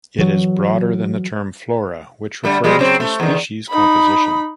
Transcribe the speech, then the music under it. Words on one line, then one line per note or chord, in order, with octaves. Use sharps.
It is broader than the term "flora" which refers to species composition.
E3 F#3
D3 G3 A3
F3 G3 G#3
C#3 F#3 C4
A3
E2 D#3
D#4 B5